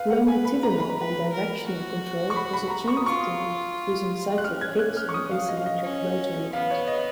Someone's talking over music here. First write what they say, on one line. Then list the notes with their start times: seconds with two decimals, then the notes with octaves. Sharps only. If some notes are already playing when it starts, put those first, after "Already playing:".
Longitudinal and directional control was achieved using cyclic pitch and asymmetric rotor lift.
Already playing: B4 F5
0.10 F#5
0.28 B4 G#5
0.45 B5
0.63 A#5
0.80 B5
0.97 B4
1.33 A#4
1.66 F#4
2.30 C#6
2.36 B5
2.53 B5
2.67 B5
2.70 A#5
2.88 C#6
2.97 D#6
3.06 F4 C#6
4.38 F#6
4.44 C#4 F6
4.61 G#6
4.79 F#6
4.97 F6
5.09 C#6
5.14 D#6
5.31 F5
5.49 D#5
5.57 F5
5.66 D#5
5.84 C#4
6.53 B3 F5
6.70 C#5
6.87 D#5